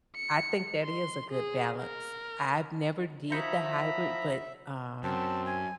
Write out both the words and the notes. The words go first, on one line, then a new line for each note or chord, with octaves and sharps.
I think that is a good balance. I've never did the hybrid, but, um,
C#7
C6
G#4
A#4
F3 D#4 E4 F#4 E5 A#5 B5
F#2 C4 A5
G#5